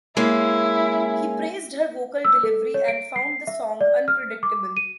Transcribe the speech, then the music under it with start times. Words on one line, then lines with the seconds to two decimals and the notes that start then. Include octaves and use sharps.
He praised her vocal delivery and found the song unpredictable.
0.17 G#3 A#3 C#4 E4
2.25 E6
2.43 A4
2.74 C#5
2.88 D7
3.16 C7
3.47 E5
3.81 D5
4.08 F6
4.43 D6
4.77 D#7